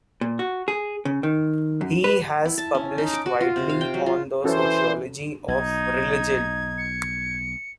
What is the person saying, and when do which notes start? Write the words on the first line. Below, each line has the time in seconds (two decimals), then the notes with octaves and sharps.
He has published widely on the sociology of religion.
0.21 A#2
0.39 F#4
0.68 G#4
1.05 C#3
1.23 D#3
1.81 F#2
2.04 B4
2.45 E4
2.58 A5
2.75 C#4
2.98 D#4
3.13 D6
3.26 F#4
3.41 F4
3.56 C3
3.69 F5
3.81 G5
3.94 F#3
4.06 F4
4.44 E3 C#4 F#4 A4 C5
5.48 B1 D#4 G#6
6.78 C#7